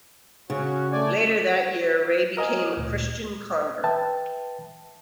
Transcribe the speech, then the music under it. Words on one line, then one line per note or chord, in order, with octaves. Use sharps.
Later that year Ray became a Christian convert.
C#3 C#4 F#4
A3 D5 G#5
A#4 D#5 G#5
D2 A#2
B4 E5 G5 A5